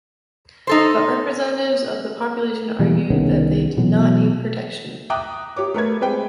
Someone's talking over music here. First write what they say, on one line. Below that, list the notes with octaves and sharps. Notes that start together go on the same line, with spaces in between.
But representatives of the population argued that they did not need protection.
D#4 A4 C5
B2 E3 G3 A#3
C2 D#3 B3 C#4
B2 E3 F#3
E5 G5 A#5 D6 D#6 F#6
G4 C#5 D6
A3 A#4 B4 G#6
G#3 C4 B4 G5